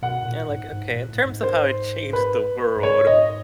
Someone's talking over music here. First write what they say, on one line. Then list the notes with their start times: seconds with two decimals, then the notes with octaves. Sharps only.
And like, okay, in terms of how it changed the world,
0.02 B2 F#5
0.22 A2
0.27 A#2
0.49 G#2
0.73 G#2
0.91 A#2
1.09 A2
1.26 G#2
1.43 C5
2.13 B4
2.77 G2
2.83 G#2 C#5
3.07 D#5